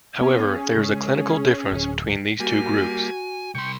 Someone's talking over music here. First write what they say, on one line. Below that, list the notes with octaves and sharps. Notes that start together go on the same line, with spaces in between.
However, there is a clinical difference between these two groups.
B3 C#4 G#4
C#3 G#3
D1 G#1
G3 A#3 F#4 G#5
C2 G5 C6 C#6